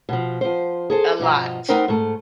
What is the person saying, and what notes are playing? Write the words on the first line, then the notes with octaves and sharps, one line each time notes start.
A lot.
B2 F3
F3 C5
G#4 A4 C5
G2 B2 F3 D#5 A#5
A3 B3 D#4 A#4 C5 G5
G#2 A3